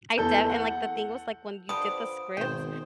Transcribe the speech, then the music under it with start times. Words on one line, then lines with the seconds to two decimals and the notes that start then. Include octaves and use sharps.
I def and like, the thing was, like, when you did the scripts,
0.18 E2 A4 G6
0.49 F#5
1.69 D3 F3 G3 B4 D#6 D7
2.37 G#1 B2 C5 G5